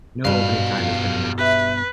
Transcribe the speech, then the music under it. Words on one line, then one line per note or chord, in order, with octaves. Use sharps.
No opening time has been announced.
G2 B2 G3 F5
F4
G4 B4 E5